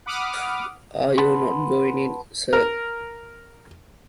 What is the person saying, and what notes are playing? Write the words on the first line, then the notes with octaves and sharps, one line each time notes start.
Are you not going in, sir?
F#5 B5 D6 D#6 F6
B4 F#5 A5 B5 C6
A#4